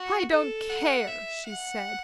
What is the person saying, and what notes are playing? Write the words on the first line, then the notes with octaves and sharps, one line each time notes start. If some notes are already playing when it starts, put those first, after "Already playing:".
"I don't care," she said.
Already playing: F#4
A4
F#5
E5
F#5